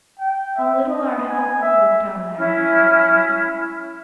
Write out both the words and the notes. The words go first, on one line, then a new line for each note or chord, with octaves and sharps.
"How little our houses look down there!" Harald said.
G5
E5
D#5
G#5
E5
C#4 E4 F6